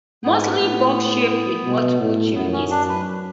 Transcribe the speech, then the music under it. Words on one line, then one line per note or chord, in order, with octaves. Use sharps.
Mostly box shaped with multiple chimneys.
G#2 B3
A2
B2
A2
F#2 B3
C#4
D4
B4